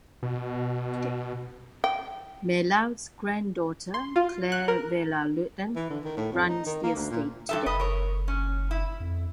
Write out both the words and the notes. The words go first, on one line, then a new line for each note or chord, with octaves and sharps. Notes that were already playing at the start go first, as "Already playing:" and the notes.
Merlaut's granddaughter, Claire Villars-Lurton, runs the estate today.
B2
G5
C6
F4
F#6
A#4
E3
D3
D#3
A2
F2
D#4
D#3
A#3
D2
A#2
G2 A4 E5
F#1 B4 D#5
A#4 C#5
C#4
E4
F2